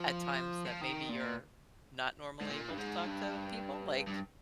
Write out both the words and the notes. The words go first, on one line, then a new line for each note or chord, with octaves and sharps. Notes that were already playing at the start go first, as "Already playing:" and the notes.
at times that maybe you're not normally able to talk to people? Like
Already playing: F3
F3
D#3
A#2
G#2
A#2
G2
G#2
G2
G2